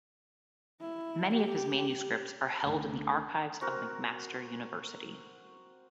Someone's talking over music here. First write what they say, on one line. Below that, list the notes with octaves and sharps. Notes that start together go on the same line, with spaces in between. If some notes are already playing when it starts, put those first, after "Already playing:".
Many of his manuscripts are held in the archives of McMaster University.
E4
G4
D2 D3
C4 F#4 A#4